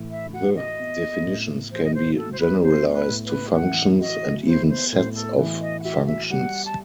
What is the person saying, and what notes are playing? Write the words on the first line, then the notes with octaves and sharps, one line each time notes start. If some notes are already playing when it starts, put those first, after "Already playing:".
The definitions can be generalized to functions and even sets of functions.
Already playing: A2 E3
E5
F#4 F#5
D#5
B3
A2
E3 C5
D#5
C5
F#4 A4
C5
B4
B3 C5
B4
A2
B4
E3 F#5
F#4 D#5
B3 C5
C5
A2 C5
A4
E3
D#5
F#5
F#4 E5
E5
G3 F#5
A5